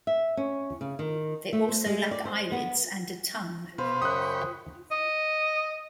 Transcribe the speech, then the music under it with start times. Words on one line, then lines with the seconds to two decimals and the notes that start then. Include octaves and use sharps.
They also lack eyelids and a tongue.
0.07 E5
0.37 C#4
0.81 C#3
0.99 D#3
1.53 A3
1.69 C5
1.86 G#3
2.11 D5
2.25 C5
2.52 B3
3.78 B2 B4 C5 F5
4.02 F#2 C#3 G5 B5 C#6 D#6 F#6
4.91 D#5